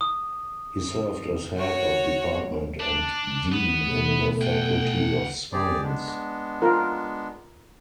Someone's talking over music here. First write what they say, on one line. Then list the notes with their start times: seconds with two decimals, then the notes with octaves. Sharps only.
He served as Head of Department and Dean in the Faculty of Science.
0.01 D#6
1.57 F#4 C#5
2.80 D4
3.52 B3
3.89 B2 A3
4.41 F#5 G5
5.53 G4 G#4 D5
5.82 G#3 B3 D4
6.62 F4 A#4